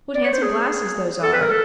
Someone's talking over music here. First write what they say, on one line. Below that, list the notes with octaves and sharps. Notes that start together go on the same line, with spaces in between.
What handsome glasses those are!
D5
C#5
C5
G#4
A4
B4
A#4
A4